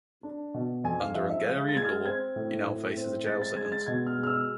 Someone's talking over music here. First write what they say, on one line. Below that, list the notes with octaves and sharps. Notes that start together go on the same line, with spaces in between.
Under Hungarian law he now faces a jail sentence.
D4
B2
F2 G#5
F5
F3 E5
E5
G#3 F5
A6
G#3 G#6
F6
C4 G#6
A2
A2
C4
G#3 A6
A6
G#3 G#6
A6
B2 G#6
F6
G#3
F6
E6